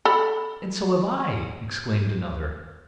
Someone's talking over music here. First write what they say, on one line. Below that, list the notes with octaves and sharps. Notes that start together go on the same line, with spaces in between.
"And so have I," exclaimed another.
A4 B5